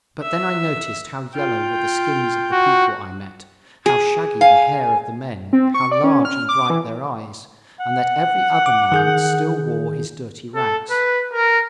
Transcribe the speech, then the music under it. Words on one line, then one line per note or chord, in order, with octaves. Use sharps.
But then I noticed how yellow were the skins of the people I met, how shaggy the hair of the men, how large and bright their eyes, and that every other man still wore his dirty rags.
E5
F4 G5
F#4
G#4
F5 G#5
C4
C#6
D5
C#4
F6
D6
E3
F#5
D6
D#3 G#4 G6
A4
B4
A#4